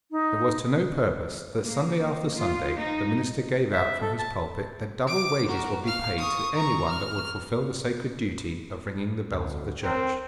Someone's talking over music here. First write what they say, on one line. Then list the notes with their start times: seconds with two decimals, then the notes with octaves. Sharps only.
It was to no purpose that Sunday after Sunday the minister gave out from his pulpit that double wages would be paid to anyone that would fulfil the sacred duty of ringing the bells of the church.
0.11 D#4
1.64 A#3
2.36 F4
2.78 D#4
3.73 E5
4.01 A4
4.19 A5
5.07 D6 D7
5.48 F#4 A#4
5.84 F5 F6
6.18 C#6 D#6
6.54 A#5 C#6
6.89 F6
9.32 D2
9.84 C4 A#4